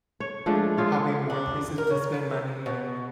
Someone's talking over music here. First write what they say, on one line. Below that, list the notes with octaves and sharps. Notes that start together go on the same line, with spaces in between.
having more places to spend money,
C#5
F3 G#3 A3 D4
G#3 D#4 F4 C#5
D4
A#4
C#3
B2